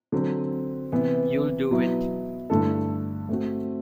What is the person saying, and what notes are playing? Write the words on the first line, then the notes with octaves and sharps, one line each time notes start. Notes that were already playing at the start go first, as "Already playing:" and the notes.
You'll do it?
D3 F#3 C4
C3 E3 B3
B2 F#3 B3 E4
G2 D3 A3 E4 A4
A3 C4 F#4